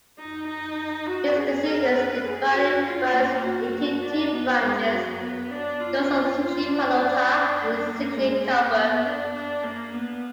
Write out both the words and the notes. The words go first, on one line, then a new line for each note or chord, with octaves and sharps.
His descendants divided, first into two branches: those of Zichy-Palota and Zichy-Karlburg.
D#4
D#4
F#4
G#4
A#4
B4
G#4
F#4
F4
A#3
F#4
D4
B3
G#3
F#3
B3
D4
F4
F4
D4
D4
A#3
G#3
A#3
B3
D4
D4
A#3
B3